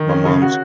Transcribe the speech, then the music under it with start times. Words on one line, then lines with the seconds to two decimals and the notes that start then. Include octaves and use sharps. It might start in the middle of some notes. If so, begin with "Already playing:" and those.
my mom's
Already playing: D#3
0.09 C#4
0.25 C#3
0.42 F#4